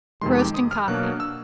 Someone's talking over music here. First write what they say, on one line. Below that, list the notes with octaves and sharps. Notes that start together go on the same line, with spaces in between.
Roasting Coffee.
F2 C3 D#3 G#3 C6
D6
D#6
F6
B2 F#3 A#3 D4 F#6
F6
E6